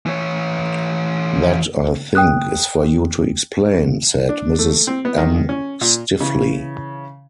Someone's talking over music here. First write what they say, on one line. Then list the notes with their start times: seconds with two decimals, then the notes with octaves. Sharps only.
"That, I think, is for you to explain," said Mrs M. stiffly.
0.06 E3 C#5
2.15 G5 D#6 F#6
4.29 D4
4.59 A3
4.87 C4
5.05 B3
5.18 D#3
5.49 C#4
5.81 A#2
6.21 C#3 E3